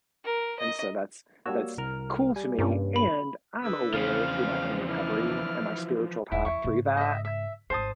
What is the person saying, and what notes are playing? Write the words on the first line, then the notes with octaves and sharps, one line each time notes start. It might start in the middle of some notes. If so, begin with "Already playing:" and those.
and so that's that's cool to me and I'm aware through my own recovery and my spiritual path through that
A#4
D#5
G3 A#3 D4 F#4 C#5 E6
C2 A#4 F6
G3 G#5
G2 C3 A#3 C#4
B5
D3 G#4 B4 E6
E2 C#3 E3 F3 C4 F5
D4 E4 F6
D#1 E4
E2 E4 C#6
G#2 C#3
D#5 E5
E5
G#1 D#4 C5 A5 D#6